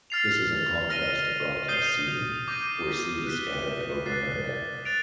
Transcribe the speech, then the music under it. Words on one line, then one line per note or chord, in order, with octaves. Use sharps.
This is in contrast to broadcast seeding, where seed is scattered over an area.
F6 A6 C7 F7
F6 A#6 D#7 G7
D#6 G6 C7 D#7 G7
D6 G6 A#6 D#7
F#6 B6 E7 G7
F#6 A6 C7
F#6 A6 D7 F7